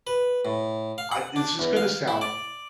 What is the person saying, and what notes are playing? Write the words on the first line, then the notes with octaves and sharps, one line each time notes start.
I this is gonna sound,
B4
A2
F5
F#5
D4
E2
F5
E4
D5